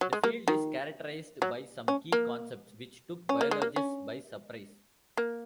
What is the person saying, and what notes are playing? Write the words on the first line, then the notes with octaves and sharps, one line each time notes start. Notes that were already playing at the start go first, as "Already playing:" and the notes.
The field is characterised by some key concepts, which took biologists by surprise.
F#3
G#3
A#3
D#3
F#3
C#4
A#3
C#4
A#3
G#3
A#3
C#4
A#3